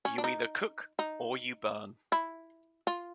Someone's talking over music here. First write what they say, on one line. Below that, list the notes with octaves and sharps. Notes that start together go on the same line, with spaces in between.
You either cook or you burn.
C#4
D4
D#4
D#4
E4
F4